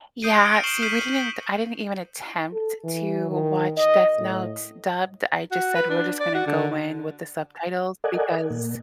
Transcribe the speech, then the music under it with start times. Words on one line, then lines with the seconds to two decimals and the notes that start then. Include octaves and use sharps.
Yeah, see, we didn't I didn't even attempt to watch Death Note dubbed. I just said we're just gonna go in with the subtitles because
0.22 D#6 G6 C7 D7 D#7
0.44 F6 G6 C#7 D7
0.64 C#6 C7 D7 E7 F#7 G7
0.82 F6 G6 B6 C7 D#7 F#7
2.53 A4
2.84 E3
3.31 D#3
3.77 D#5
4.18 A2
5.52 F#4
5.75 B4
5.90 D4
6.20 D5
6.35 F#4
6.47 D3
8.04 A4 A#4 D5 D#5 F#5 G#5
8.50 A#2 A#3